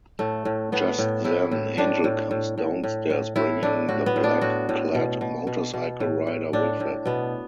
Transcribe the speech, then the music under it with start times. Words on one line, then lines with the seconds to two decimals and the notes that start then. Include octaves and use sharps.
Just then, Angel comes downstairs, bringing the black-clad motorcycle rider with him.
0.19 A2 A3
0.45 A2
0.72 A2 B3
0.98 A2
1.25 A2 E4
1.52 A2
1.78 A2 D4
2.04 A2
2.31 A2
2.58 A2
2.84 A2
3.10 A2
3.36 A2 E4
3.63 A2 D4
3.89 A2 F#4
4.06 B3
4.16 A2
4.24 D4
4.41 A2 F#4
4.69 A2
4.95 B2
5.21 B2
5.47 B2
5.74 B2
6.00 A2
6.27 A2
6.53 A2 D4
6.80 A2
7.05 B2 B3